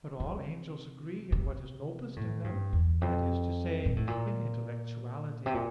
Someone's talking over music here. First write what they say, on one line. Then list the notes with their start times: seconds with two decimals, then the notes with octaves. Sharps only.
But all angels agree in what is noblest in them--that is to say, in intellectuality.
0.20 C3
1.32 C3
2.16 A2
2.44 G2
2.73 E2
3.01 F2
3.85 A#2
3.96 A2
4.07 A#2
5.46 C3
5.54 A#2